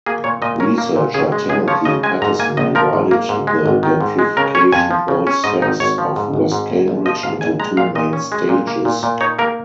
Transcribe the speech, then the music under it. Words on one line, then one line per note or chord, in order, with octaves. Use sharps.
Researcher Timothy Pattison divided the gentrification process of West Cambridge into two main stages.
A#3 G#4
A#2 C#5
A#2 D#5
C#4 A#4
A#3
A#2
C#3 G#4
G#3
C#2 G#4
F3 C#5
C#3 D#5
G#3 G#5
G#2 A#5
A#3 G#5
A#1 D#5
F3 A#4
G#2
A#3
G#2
G#3
G#1
D#3
G#2
G#3
C#3 A#4
C#4 C#5
F2 G#5
F3
C#3
C#4
G#2 D#5
G#1 D#4
G#1 C#5
F3
G#2
G#1
G#2
A#1
A#1
F3 D#5
G#2 F5
A#1 G#5
G#3 A#5
A#2 F5
A#2 D#5
C#4
G#3
A#2
A#3
A#2
A#2
D#4 C#5
A#3 A#4